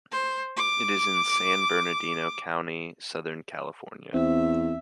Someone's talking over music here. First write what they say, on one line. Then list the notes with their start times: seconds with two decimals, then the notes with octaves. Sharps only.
It is in San Bernardino County, Southern California.
0.12 C5
0.57 D6
4.14 E2 C4 E5